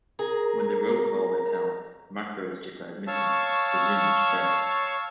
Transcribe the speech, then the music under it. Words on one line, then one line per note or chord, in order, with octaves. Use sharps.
When the roll-call is held, Macro is declared missing, presumed dead.
G#4 A#4
C#5 F5 A5 C#6 E6